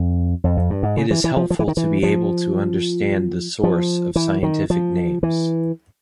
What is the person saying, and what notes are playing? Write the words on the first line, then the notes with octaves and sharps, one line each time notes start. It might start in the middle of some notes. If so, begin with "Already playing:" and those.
It is helpful to be able to understand the source of scientific names.
Already playing: F2
F2
F2
G2
G#2
C#3
E3
E3
F3
F3
E3
D#3
E3
F3
F3
E3
D#3
F3
E3